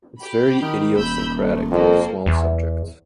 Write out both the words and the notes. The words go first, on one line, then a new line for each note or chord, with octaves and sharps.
It's very idiosyncratic, with small subjects.
G4 B5
D#3
D#1 B5 E6 G6
A3
F2 A#3 A4 C5
E2